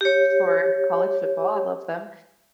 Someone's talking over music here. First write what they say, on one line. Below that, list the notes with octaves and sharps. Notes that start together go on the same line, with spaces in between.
for college football; I love them.
G4 C#5